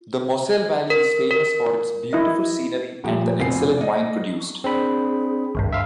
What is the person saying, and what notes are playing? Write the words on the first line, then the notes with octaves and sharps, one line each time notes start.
The Moselle valley is famous for its beautiful scenery and the excellent wine produced.
A#4
A#4
E4 D#5
A#2 F3 G3 G4
F1 B2 B3 C4 G#5 C7
D5 D#5
C4 D4 G#4 B5
G#1 C#2 G2
E5 F5